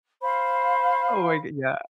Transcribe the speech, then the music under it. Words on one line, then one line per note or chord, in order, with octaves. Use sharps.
Oh my g Yeah.
C5 F5 B5